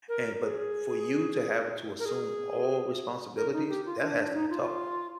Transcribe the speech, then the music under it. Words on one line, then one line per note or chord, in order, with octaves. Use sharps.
And but for you to have to assume all responsibilities, that has to be tough,
A#4
G#4
A#4
G#4
A#4
D#4
G4
F4
D4
D4
D#4
F4